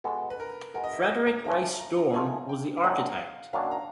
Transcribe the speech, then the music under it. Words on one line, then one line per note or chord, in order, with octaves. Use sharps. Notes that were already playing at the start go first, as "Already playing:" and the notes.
Frederick Rice Dorn was the architect.
B2 G#3 B3 A4
B4
A#4
B2 G#3 B3 A#4
D#5
E5
D#5
E5
A#5
G#2 F3 A3 C#4 A#5
A5
A#5
A#5
G#2 F3 A3 C#4 G#5
G5
F5
F#2 D#3 F#3 A#3 D4 F#5
F5
F#2 D#3 F#3 A#3 D4 F5
A#5